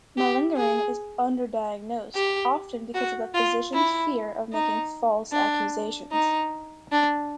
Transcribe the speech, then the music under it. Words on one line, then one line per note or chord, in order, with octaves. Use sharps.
Malingering is underdiagnosed, often because of the physician's fear of making false accusations.
G4
G#4
G4
F#4
F4
E4
D#4
D4
D#4
D4